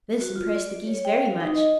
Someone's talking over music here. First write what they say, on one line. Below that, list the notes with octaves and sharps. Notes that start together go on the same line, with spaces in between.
This impressed the Geese very much.
F#4
F4
D5
C#5
G5
F5
D#4
D#5